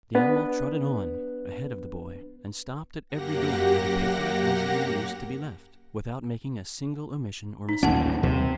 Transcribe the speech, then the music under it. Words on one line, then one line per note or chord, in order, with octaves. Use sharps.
The animal trotted on a-head of the boy, and stopped at every door where the paper was in use to be left, without making a single omission or mistake.
B3 D4 B4
F#2 A#3 G4 F#5 A#6
D#4
A1 D#2 A#2 C#4 F#5 A5
D#2 C3 G3